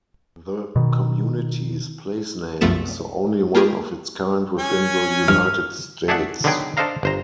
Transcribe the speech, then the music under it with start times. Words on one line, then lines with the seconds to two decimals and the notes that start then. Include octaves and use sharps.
The community's placename is the only one of its kind within the United States.
0.76 B2 D#3
2.61 C2 F#2 F3 A3 B3 E7
3.55 A#3 F4 G4 G#4
4.59 C#4 G#5
5.28 G2 F6
6.08 A3 G#4 A4 D5 E5 F#5
6.44 D3 D#3 F#3 B3 G#4 G5
6.77 D4 A4 C5 D#5 F5 A#5
7.03 G1 C5 A#5